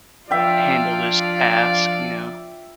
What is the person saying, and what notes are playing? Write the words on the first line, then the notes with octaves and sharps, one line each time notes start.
handle this task," you know?
F3 D4 F4 D5 E5 F5 G5